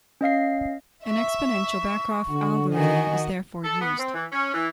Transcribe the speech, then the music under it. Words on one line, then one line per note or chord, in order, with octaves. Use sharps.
An exponential backoff algorithm is therefore used.
C#4 D#5 F5 C7
E5 C#6
D3 F#4
D#3 F#4 D#5 G#5
A4
B3
C4
E3
C#4
E3